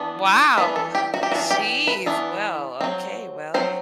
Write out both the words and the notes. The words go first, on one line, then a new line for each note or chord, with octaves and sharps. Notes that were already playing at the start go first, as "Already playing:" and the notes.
Wow. Jeez. Well, okay. Well,
Already playing: E3 B3 D4
E3 B3 D4 B4
A4
G4
F#4
G4
E3 B3 D4 F#4
G4
B4
E3 B3 D4
F#3 C4
F#3 C4 C5